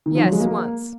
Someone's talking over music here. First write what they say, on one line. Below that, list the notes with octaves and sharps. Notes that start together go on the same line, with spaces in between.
"Yes, once."
D#3
F3
F#3
G#3
A#3